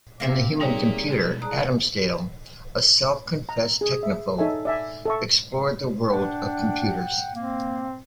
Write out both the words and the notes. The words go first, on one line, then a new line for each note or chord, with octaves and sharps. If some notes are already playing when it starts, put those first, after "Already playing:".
In "The Human Computer", Adamsdale, a self-confessed technophobe, explored the world of computers.
A#3 C4 E5 F5 G5 D6
G3 D#4 G4 G#4 A#4 C#5 D5
B2 G#3
G#4 D5 A5 A#5 D#6 F#6
A#5
G#4
E5
D#4 A4 C#5 E5 G#5
D5 E5 G#5
A4 E5 C#6
D4 F#5 G5
A#3 C4